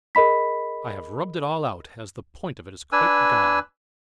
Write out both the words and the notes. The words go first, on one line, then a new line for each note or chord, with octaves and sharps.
"I have rubbed it all out, as the point of it is quite gone."
G#4 A#4 D#5 B5 B6
D4 B4 G#5 E6